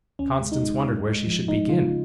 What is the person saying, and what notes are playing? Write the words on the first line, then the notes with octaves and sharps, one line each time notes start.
Constance wondered where she should begin.
D#2 C#4
G#3
D#4
G#3
G#3
G#3
F3
G#3 D#4
C#3 F4